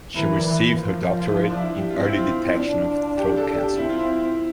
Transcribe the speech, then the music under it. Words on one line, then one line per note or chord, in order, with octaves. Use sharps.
She received her doctorate in early detection of throat cancer.
E3 A#4
D5
E3
F3
E4
F4
D4
E4
G4
F4
C4
E4
F4
D4
G4
A4
A4
G4
C4 E4
F4
E4